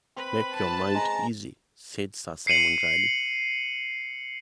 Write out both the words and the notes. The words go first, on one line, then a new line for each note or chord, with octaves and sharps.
"Make your mind easy," said Sir Simon, dryly.
C4 B4 B5
A5
G#3 A#5
C7 C#7 D#7 F#7